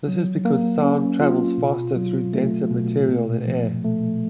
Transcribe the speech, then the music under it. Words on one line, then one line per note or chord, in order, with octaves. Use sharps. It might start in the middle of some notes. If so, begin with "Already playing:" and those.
This is because sound travels faster through denser material than air.
F#3
A#3
C#4
F4
B2
F#3
A3
B2
A#2
F3
A3